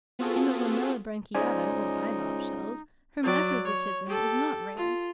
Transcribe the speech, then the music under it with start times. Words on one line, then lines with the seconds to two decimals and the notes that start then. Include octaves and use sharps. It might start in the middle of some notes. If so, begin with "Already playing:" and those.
In the Lamellibranchiata, or bivalve shells, hermaphroditism is not rare.
0.19 B3 C4 F4 F#4 G#4 A4
1.35 C#2 D#4 C5 D5 G#5
3.23 F#3 D5
3.64 C#5
4.06 G4 A4
4.76 F4